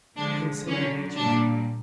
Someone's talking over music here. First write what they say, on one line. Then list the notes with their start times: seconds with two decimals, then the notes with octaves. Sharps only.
I am so good-natured now.
0.17 D3 F3 G#3 D4
0.67 D3 F#3 C#4
1.17 A#2 G3 D4